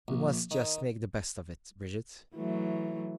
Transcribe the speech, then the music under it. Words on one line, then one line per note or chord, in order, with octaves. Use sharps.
We must just make the best of it, Bridget.
A#1
D#3
E3 F#3 A3